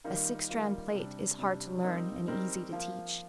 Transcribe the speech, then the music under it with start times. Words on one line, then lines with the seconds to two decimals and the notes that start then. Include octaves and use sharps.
A six-strand plait is hard to learn and easy to teach.
0.04 D#3 G3 A#3 F4
0.49 D#3 G3 A#3 F4
0.94 C3 G3 D4
1.38 C3 G3 D4
1.83 G3 C4 D#4 A#4
2.27 G3 C4 D#4 A#4
2.72 F3 A#3 F4